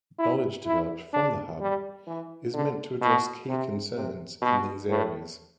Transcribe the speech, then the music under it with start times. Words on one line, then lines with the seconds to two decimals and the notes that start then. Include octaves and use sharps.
Knowledge developed from the Hub is meant to address key concerns in these areas.
0.19 E4
0.66 E4
1.13 D4
1.60 G3
2.07 E3
2.53 D3
3.01 B2
3.48 C3
3.95 C3
4.41 B2
4.89 A2